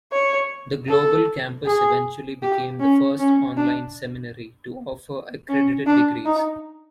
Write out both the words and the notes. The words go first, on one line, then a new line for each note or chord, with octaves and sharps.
The global campus eventually became the first online seminary to offer accredited degrees.
C#5
A4
G#4
G4
C#4
C#4
D4
C#4
D4
D#4